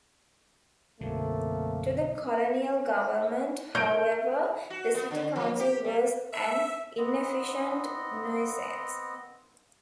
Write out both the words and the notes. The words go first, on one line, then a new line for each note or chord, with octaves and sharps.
To the colonial government, however, the city council was an inefficient nuisance.
B1 F#2 D3 A3 A#3 C4
A#4 C#5 G6 D7
F#4
B3
D3
F3
G4
G3
E5
B3 C4 D#5